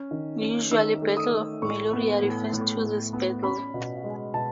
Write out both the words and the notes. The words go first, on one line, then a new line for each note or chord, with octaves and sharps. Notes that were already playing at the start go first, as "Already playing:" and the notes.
Usually, "Battle of Meloria" refers to this battle.
Already playing: C#4
D#3
C#4
D#3 E6
A3
D#6
A3
A2 C#6
B3
A2
A2
A2
B3
C#4 B5
B2
G#3
B2 A5